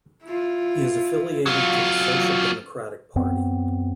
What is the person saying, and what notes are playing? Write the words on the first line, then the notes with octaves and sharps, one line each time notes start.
He is affiliated to the Social Democratic Party.
E4 F4
F#3 F4
F#2 B3 C4